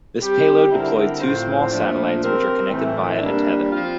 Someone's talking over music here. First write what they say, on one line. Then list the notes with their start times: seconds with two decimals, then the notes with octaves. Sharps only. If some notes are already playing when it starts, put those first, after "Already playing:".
This payload deployed two small satellites which are connected via a tether.
0.20 G3 C4 G4
0.70 D3 G3 C4 E4 A#4
1.20 A2 F3 C4 F4 C5
1.70 A#2 F3 A3 D4
2.20 C4 G4 A#4
2.71 A2 E3 A3 C4
3.21 G3 A#3 D4
3.72 F3 C4 F4